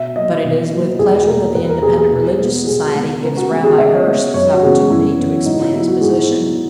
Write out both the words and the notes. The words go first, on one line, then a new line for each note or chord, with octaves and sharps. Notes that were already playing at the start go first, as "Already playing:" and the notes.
But it is with pleasure that the Independent Religious Society gives Rabbi Hirsch this opportunity to explain his position.
Already playing: B2 E5
F#3 A#3 D#5
B2
F#3 A#3
E2 G#4
B2 A#3 A#4
E2 B4
A#4
B2 A#3 G#4
G#4
B2
G#3 B3
B2 G#4
G#3 B3
C#3 A#4
F#4
G#3 B3 F#4
G#4
C#3 E5
D#5
C#5
D#5
G#3 B3
F#2 C#5
F#4
C#3 E3 B3 G#4
F#2 E4
C#3 E3 B3
G#2 D#4
E4
F#3 B3 E4
F#4
G#2 G#4
F#3 B3